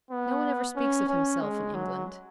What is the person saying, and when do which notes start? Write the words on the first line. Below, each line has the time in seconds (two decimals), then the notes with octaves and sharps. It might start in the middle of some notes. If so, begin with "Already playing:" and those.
No one ever speaks of himself in England.
0.11 B3
0.76 C#4
1.09 C#4
1.42 G#3
1.75 F#3